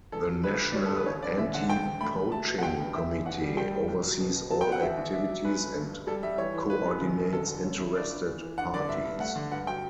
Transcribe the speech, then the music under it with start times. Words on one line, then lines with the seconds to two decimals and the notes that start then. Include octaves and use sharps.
The national anti-poaching committee oversees all activities and coordinates interested parties.
0.12 E2 A4
0.29 F#3
0.43 D2 B4
0.60 D2
0.71 D5
0.75 G3 C#5
0.86 A4
0.91 D2
0.96 B4
1.06 A1 C#5
1.22 C#4 D5
1.38 E1 E5
1.53 D3 F#5
1.69 D2 G5
1.85 E1
2.01 A3 B5
2.16 F#3
2.32 A3 A5
2.47 B2
2.58 F#5
2.63 A1 G5
2.79 G2
2.95 E2 E5
3.10 E2
3.26 A1 F#5
3.41 G3
3.57 G3 G5
3.72 A2
3.88 B1
4.04 F#3
4.20 B2
4.35 B2
4.51 F#3 A5
4.61 G5
4.67 B3
4.72 F#5
4.82 A1 E5
4.98 A1
5.13 D4 E5
5.29 F#3
5.45 F#2 B4
5.61 G1
5.76 G2
5.92 G2
6.07 G3 A4
6.23 G3 E5
6.38 E3 C#5
6.54 E3
6.70 E3 B4
6.85 F#2
7.01 E1
7.17 B2
7.33 E1 A4
7.48 D3
7.64 C#4
7.80 E4
7.95 G1 D5
8.10 G1
8.26 E3
8.42 E3
8.58 D4 F#5
8.74 D3 D5
8.89 G2 E5
9.05 G2
9.20 A3 F#5
9.36 D3
9.52 G2 F#5
9.67 F#3 G5